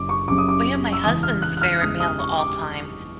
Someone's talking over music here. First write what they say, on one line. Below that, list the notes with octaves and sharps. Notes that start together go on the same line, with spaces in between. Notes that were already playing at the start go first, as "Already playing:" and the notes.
Well, you know, my husband's favorite meal of all time
Already playing: F#1 F#2 C#3 D6
C#6
F#1 F#2 C#3 D6
D#6
D6
E6
E2 C#3 E3 G#3 D#6
F6
F#6
F#6
F6
E2 C#3 E3 G#3 D#6
D#6
C#6
D6